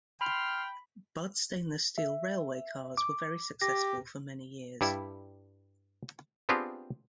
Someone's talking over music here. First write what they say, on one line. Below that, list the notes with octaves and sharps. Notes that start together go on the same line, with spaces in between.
Budd stainless steel railway cars were very successful for many years.
G5 B5 C6 F6
E5
D6
G4 A#6
G2 G3 E4
B3 C4 D4 F4 G4 G#4